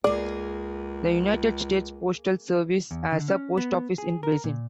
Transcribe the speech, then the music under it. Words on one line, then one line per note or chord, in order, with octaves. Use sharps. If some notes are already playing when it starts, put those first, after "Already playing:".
The United States Postal Service has a post office in Basin.
C#2 A#3 G#4 D5
E2
D3
C#4
B3
G#4
A#4
A#2